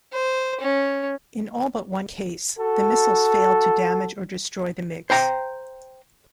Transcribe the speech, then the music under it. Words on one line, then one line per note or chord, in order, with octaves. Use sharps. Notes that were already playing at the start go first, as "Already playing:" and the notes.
In all but one case, the missiles failed to damage or destroy the MiGs.
C5
C#4
F#4 A4
C5 G5 A#5